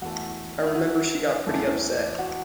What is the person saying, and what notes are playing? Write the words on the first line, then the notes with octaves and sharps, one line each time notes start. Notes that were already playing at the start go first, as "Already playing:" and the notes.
I remember she got pretty upset.
E2 E3 A3 F#4
E4
F#4
E2 E3 A3
F#4